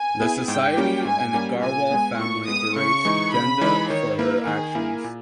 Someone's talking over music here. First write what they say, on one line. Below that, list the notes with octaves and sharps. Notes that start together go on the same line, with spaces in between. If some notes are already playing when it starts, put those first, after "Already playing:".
The society and Agarwal family berates Genda for her actions.
Already playing: G#5
B3 E4 G#4
G#2 G5
G3 A#3 C#4 G4
G#2 G#5
G3 A#3 C#4 G4
A#2 G#5
G#3 B3
A#2 C#6
G#3 B3 D#6
C#3 C#6
E3 G#3 D#4
C#3 B5
E3 G#3 D#4
D#3 C#5
A#3 E4 A#4 B4
D#3 G#4
A#3 E4 A#4
A#2